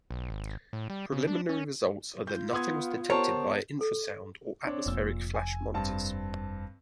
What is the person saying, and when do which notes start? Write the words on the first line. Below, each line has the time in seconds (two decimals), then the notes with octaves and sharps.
Preliminarily results are that nothing was detected via infrasound or atmospheric flash monitors.
0.11 B1
0.30 G#1
0.73 A2
0.90 G3
1.12 C#3
1.27 D4
1.49 C#4
2.27 F4 G6
2.53 B3 C6 D#6 G#6
3.10 B3 G4 A#4 C5 C#5 A5
3.81 A4
4.65 C4 D4 C#5
4.86 F1 A#2 E6
5.35 G#5
5.74 G2 C4 A5